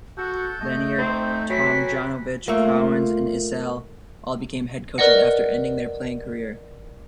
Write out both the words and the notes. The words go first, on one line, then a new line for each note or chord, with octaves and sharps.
Lanier, Tomjanovich, Cowens and Issel all became head coaches after ending their playing career.
F#4 A4 F#5 A5 G6
A3 D#5
C4 D#4
F#3 B4 G5 G#5 B6
A3 A#3 F4
A#4 B4 D5 D#5 F#5